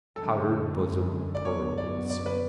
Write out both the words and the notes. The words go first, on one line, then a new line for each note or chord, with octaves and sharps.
Powdered bosom pearls.
F#2 D3 G#3 A4
D5
F#2 D3 F#3 B3 C#5
D5
D5
B4